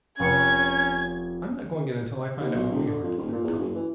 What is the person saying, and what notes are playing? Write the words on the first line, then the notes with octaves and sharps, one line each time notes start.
"I'm not going in until I find out where we are," declared Tom.
F1 C#4 C#6 G#6 C#7
D#2
B1
E1
D3
F2
D#1
A#2
E2
F#1
E3